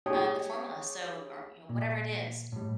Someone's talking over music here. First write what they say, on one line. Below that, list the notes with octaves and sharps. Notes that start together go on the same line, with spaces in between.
uh, the formula. So or, you know, whatever it is,
G4 G#4 C#5 G5 D#6
A#2
A2 G3